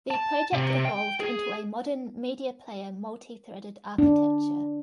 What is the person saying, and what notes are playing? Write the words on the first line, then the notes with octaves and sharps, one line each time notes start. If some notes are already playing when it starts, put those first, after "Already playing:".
The project evolved into a modern media player multi-threaded architecture.
A5
C3
G5
G#4
D4